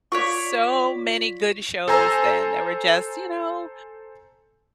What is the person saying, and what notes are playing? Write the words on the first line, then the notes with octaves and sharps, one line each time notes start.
So many good shows then that were just, you know
F4 C#5 D5 C#6 B6
A4 C5 G#5 A#5 E6